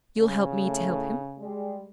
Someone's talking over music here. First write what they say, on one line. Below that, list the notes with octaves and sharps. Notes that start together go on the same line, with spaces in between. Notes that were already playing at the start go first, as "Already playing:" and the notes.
You'll help me to help him?
C#3
A2 A3
G3 G#3